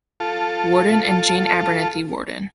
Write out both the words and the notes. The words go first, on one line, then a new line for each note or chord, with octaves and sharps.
Warden and Jane Abernathy Warden.
F4 A4